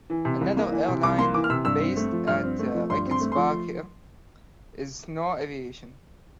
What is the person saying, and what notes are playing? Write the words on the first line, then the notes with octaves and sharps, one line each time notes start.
Another airline based at Rickenbacker is Snow Aviation.
E3
C3
C2
A#3
E3
C3
C2 D6
A#3 C6
E3 D6
F6
C3 E6
G2 E6
C4
A3
F3
G2 F6
C4
A3
F3
G2 C6
C4
C6
A3
F3 C6